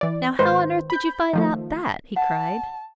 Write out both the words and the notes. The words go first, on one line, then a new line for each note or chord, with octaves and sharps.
'Now how on earth did you find out that?' he cried.
E3 D5
G#2 D#3 B4 C5
B5 G6
D#3 F3 A3
F#5 A5